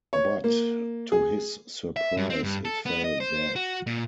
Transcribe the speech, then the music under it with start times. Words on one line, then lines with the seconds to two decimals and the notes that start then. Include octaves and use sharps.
But, to his surprise, it fell dead.
0.13 C#5
0.44 A#3
1.12 G#4
1.96 E5
2.17 G2
2.30 C4
2.44 G2
2.65 A4
2.86 B3
3.04 D#5
3.20 C5
3.56 F#4
3.87 A#2